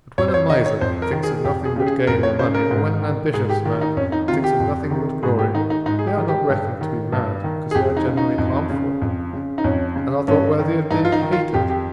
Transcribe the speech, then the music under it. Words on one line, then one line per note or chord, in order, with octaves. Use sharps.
But when a miser thinks of nothing but gain or money, or when an ambitious man thinks of nothing but glory, they are not reckoned to be mad, because they are generally harmful, and are thought worthy of being hated.
F2 C#5
C5
C#5
D#3 D#5
C#5
F2 C5
A#4
D#3
G#4
F2 G4
G#4
C#3 G4
G#4
F2 A#4
C#5
C#3 C5
A#4
G#2
D#3
G#2 G#4
G4
D#3
D#4
F2 C#4
D#4
C3 D#3 F4
G4
F2
C3 D#3
G#2 G#4
G4
D#3 D#4
D#4
G#2 D#4
G#4
G4
D#3
G4
G2
D#3
G2
D#3
G#4
F2 G4
D#4
C#3
D#4
F2
C#3
F2
C#3
D#4
F2 C#4
C#3
G2 C#4
D#3
G2 D#4
F4
D#4
D#3
F4
F2 G4
G4